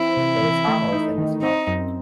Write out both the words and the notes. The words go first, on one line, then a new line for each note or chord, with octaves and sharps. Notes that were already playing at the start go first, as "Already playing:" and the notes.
It is harmless in this mode.
Already playing: E3 C4 E4
C3
E3
A3
D#4
D#3
C4 D#4
F#2